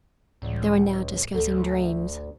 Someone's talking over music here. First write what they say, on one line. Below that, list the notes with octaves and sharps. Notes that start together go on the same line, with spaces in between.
They were now discussing dreams.
C#2 A2 E3 G3
D2 A4